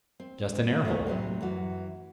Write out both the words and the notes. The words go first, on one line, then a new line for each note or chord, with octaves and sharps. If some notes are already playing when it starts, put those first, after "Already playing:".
Just an air-hole.
C4
A3 C4 F4 A#4
A2 C3 F#3 A3
F#2 E3 F#4